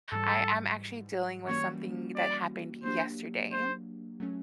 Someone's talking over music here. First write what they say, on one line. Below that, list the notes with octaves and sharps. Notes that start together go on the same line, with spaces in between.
I I'm actually dealing with something that happened yesterday.
G#2 E3 G3 A4
E3 G3 A#3 C#4 F#4 C#5
D5
F#3 A#3 D4 G4 C5
C5
F#3 A3 C#4